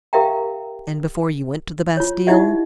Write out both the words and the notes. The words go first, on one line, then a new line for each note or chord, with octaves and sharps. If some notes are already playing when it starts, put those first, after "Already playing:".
"And before you went to the Bastile?"
G4 A#4 E5 F5 G5 A#5
F4 C#5
D#4 E4 G4 D#5 E5 F#5